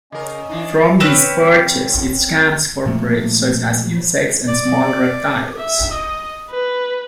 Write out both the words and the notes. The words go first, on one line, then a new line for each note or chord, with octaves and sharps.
From these perches it scans for prey, such as insects and small reptiles.
C#3 C#4 A#4 D#5
E3 D4 D#4
C4 C#4 B4 F#6
A#2 F3 A3 A#3
D5
E5
D#5
B4